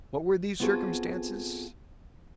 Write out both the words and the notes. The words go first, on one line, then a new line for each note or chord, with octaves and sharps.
What were these circumstances?
B3 C4 F4 F#4 G#4 A4